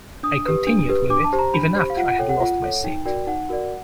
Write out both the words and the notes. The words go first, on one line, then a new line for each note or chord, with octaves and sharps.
I continued with it even after I had lost my seat.
D4 D#6
G4 B4
D4
G4 B4
D4 D6
A5
G4 C5
A#5
D4 B5
G4 C5
F5
F4 F#5
F#5
A4 C#5 G5
F#5
F4 F#5
A4 C#5
D#4 G5
F#4 A#4 D5 G5
D#4 F#5
F#4 A#4 D5